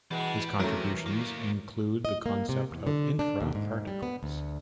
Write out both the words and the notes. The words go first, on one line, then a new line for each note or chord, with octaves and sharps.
His contributions include the concept of infraparticles.
B2 E3 G3 G#3
C3 F#3 A3 A#4
D#2 A#3
D#5
A#3
C3
E2
D3
D4
D#2
G#2
G3
B3
D2